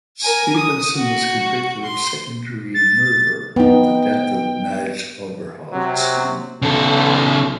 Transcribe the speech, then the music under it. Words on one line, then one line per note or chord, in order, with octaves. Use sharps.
Stephenson was convicted of second-degree murder in the death of Madge Oberholtzer.
A#4 G#5
D#6
F#4
C6
A6
B3 D#4 G5
C3 F#3
B1 C#3 A4